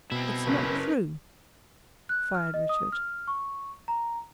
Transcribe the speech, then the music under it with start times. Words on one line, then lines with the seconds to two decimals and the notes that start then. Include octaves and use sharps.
"It's not true!" fired Richard.
0.12 B2 C4 E4
0.47 F#1 C#4 A#4 B4
2.09 F#6
2.35 F6
2.54 D#5
2.69 D#6
2.92 F6
3.28 C#6
3.88 A#5